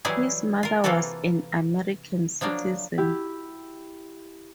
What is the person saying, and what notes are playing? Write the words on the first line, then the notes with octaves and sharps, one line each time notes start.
His mother was an American citizen.
E3 F#3 G3 E4 G#4
F4 A#4
C3 E3 A#3 F4 F#4 A4
F3 F#3 A#3 D4
E4 G4